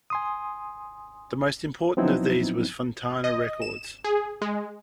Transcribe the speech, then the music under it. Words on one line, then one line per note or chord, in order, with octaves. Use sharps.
The most important of these was Fontana Records.
G#5 C6 D#6
F3 F#3 B3 C4 D#4 E4
D#5
E7
G#4
G#3